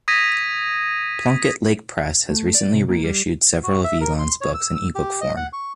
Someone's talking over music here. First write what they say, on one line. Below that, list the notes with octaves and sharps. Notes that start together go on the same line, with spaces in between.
Plunkett Lake Press has recently reissued several of Elon's books in eBook form.
D#6 G#6 A#6 B6 D#7
A3
D5
C3
A#3
G3
F#4
E5
A#4
C6
C#5
E6
E6
G4
D#5
F#5
C#6